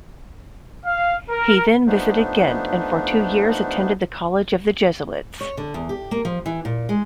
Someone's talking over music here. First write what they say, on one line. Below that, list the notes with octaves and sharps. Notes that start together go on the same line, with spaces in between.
He then visited Ghent and for two years attended the college of the Jesuits.
F5
A#4
F3 A3 B3 D4 D#4
C#5
D3
E2
G4
A#3
F3
E3
A#2
G#3